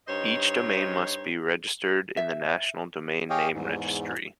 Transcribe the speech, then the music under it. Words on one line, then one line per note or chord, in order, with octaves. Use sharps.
Each domain must be registered in the National Domain Name Registry.
G2 D#4 C5 C#5 D#5
E5
G4 G#4 C#5 D#5 F5 G5
E2 G#2